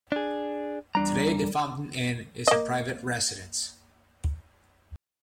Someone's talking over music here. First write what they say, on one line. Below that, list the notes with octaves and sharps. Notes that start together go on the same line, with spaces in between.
Today, the Fountain Inn is a private residence.
D4 G#4
E2 G3 D4 A#5
A#3 D#5